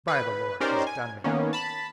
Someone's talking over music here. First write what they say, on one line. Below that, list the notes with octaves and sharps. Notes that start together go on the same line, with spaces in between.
'By the Lord, he's done me!'
B4
C#4 D#4 G4 A#4 C5 D5
G#5
D#3 A#3 B3 C#4
A5 B5